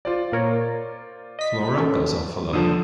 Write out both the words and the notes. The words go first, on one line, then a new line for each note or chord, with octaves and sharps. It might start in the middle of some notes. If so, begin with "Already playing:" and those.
Flora goes off alone.
F4 C5 D5
A#2 A#4 C#5
D#5 B6
C#4 A4
D3 F3 A5 D#6